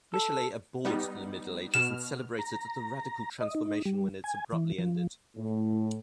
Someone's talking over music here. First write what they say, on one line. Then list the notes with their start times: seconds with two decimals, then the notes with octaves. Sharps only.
Michelet abhorred the Middle Ages, and celebrated the radical transformation when it abruptly ended.
0.14 A4
0.85 G3 B3 D#4
1.74 B2 F6 E7
2.39 A#5
3.41 D#5
3.55 D#4
3.85 G3
4.24 G#5
4.52 E3
4.79 F3
5.37 A2